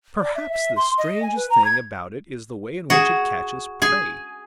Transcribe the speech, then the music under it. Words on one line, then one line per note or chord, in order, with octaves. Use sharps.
Perhaps the strangest thing about it is the way in which it catches prey.
D5
E5
E5
C6
D#5
G#5
B4
A#5
G#6
F#4 G#4
G#4 G#5